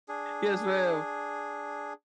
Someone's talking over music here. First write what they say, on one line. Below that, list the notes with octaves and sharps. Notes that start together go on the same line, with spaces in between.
Yes, ma'am.
D4 G#4